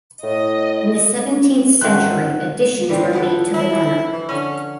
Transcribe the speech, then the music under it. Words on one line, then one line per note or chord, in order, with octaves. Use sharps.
In the seventeenth century additions were made to the manor.
A2 D#5
G#1 F#3 A3 C#4 C#5 C6 F#6
D3 E3 G3 C4
B3 E4 A4
F3 E4
E3
D3 C#4 G#5